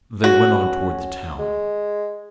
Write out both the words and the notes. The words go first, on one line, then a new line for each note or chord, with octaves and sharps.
They went on toward the town.
C#4 F#4
G#3